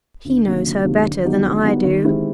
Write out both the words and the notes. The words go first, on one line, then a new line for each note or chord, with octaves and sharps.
"He knows her better than I do."
D2
C3 D#3 F#3 A#3
D2
C3 D#3 F#3 A#3
D3
F#3 B3 D#4 G4
D3
F#3 B3 D#4 G4
D#3
G#3 C4 E4 G4